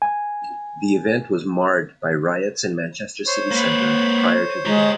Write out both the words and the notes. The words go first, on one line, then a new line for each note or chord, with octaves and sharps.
The event was marred by riots in Manchester city centre prior to the game.
G#5
C5 C#5
A#3 B4
G#3 G4 A#5